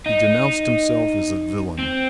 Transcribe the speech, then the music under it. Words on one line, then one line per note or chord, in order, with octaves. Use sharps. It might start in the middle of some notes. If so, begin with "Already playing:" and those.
He denounced himself as a villain.
D#4
C4